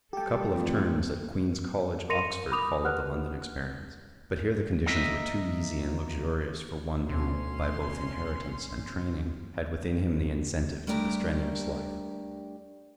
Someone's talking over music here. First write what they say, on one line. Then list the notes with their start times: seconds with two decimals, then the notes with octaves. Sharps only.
A couple of terms at Queen's College, Oxford, followed the London experience, but here the conditions were too easy and luxurious for one who, by both inheritance and training, had within him the incentive to the strenuous life.
0.13 G3 G4 A4 G5
0.54 F2 E3 A3
2.09 A#4 C6 A#6 C#7 D#7 F7
2.52 B5 D6 D#6 F7
2.84 G4 B4 F#5 F6 F#6
4.86 A#3 D#5 E5
7.09 D2 B2 B3 C#4 C6
10.87 G3 A3 D4 G4 A#4